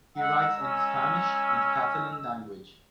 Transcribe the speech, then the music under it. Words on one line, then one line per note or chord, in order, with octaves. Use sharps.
He writes in Spanish and Catalan language.
G#3 F#5 A#5 E6
C#4